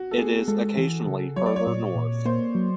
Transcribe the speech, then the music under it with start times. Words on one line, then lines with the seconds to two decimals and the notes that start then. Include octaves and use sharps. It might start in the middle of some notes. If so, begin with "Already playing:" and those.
It is occasionally farther north.
Already playing: F#4
0.11 A4
0.18 B3 G#4
0.48 G#3 A4
0.78 E3
1.07 C#3
1.36 F#3 C#5
1.46 D5
1.56 C#5
1.67 A#2
1.96 A#2
2.26 A#3 C5
2.55 F#3